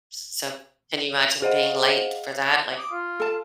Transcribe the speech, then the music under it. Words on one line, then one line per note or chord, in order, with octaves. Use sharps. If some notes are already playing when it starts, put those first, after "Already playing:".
So, can you imagine being late for that, like,
G#4 C5 D#5 F5 F#5
D6 D#6
F4
A4 A5